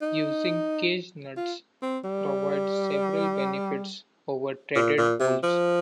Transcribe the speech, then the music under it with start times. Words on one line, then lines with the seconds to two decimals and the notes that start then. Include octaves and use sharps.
Using cage nuts provides several benefits over threaded holes.
0.02 D#4
1.37 F4
1.82 C4
2.04 G3
4.76 A#2
4.98 A#2
5.20 C3
5.43 F3